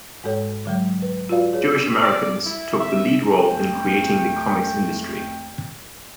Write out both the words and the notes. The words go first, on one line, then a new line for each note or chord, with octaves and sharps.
Jewish Americans took the lead role in creating the comics industry.
G#2 G#3 A4 C#5
D3 F#3 G#3
B4
F4 F#4 B4 D5 F5
G#4 C#5
D5
E4
E5
F2 A3 G5